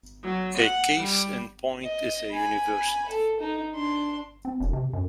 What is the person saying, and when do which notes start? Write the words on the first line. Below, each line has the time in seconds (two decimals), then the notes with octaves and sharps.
A case in point is a university.
0.21 F#3
0.57 F#5
0.99 G3
1.83 D#5
2.31 G#5 B5
3.08 A4
3.40 D#4
3.73 D4 C6
4.45 C4
4.60 E1
4.73 C3
4.93 F#2